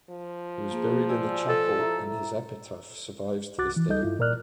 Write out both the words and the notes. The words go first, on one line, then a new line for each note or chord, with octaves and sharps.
He was buried in the chapel and his epitaph survives to this day.
F3
A#3 G#4
D5 G#5 E6
A4
E4 E5 A#5
C2 F#4 D6 F#6 A6
E3
C#2 G3 D#4 A4 D#5 G6
G2 E4 F4
A#2 A#4 D5 F6 F#6